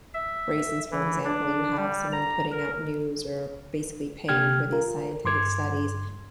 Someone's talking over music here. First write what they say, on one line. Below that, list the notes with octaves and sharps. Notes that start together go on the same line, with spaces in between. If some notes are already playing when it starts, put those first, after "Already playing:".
raisins, for example, you have someone putting out news or basically paying for these scientific studies,
E5
E3
D4
G3
A#5
A#4
C3 A#3 G4 G5 F6 G#6
F4 A#4
G2 C6 D6 G#6